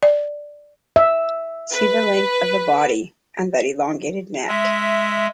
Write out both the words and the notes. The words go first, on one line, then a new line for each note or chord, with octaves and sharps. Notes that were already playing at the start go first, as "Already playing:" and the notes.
See the length of the body and that elongated neck.
D5
E5
B4
G#3 E5